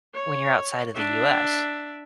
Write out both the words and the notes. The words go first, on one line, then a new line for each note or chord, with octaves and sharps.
when you're outside of the US.
C#5
D4 E5